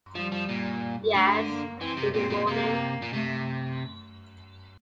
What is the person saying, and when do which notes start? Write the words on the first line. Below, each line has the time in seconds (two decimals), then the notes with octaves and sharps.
Yes, in the morning.
0.15 F3 G3
0.32 F3
0.49 A#2
1.14 D3 A3
1.48 A#3
1.81 E3 C4
1.97 C3
2.13 A#2 C4
2.30 A#2
2.47 C3 A#3
3.02 A#2
3.13 C3 A3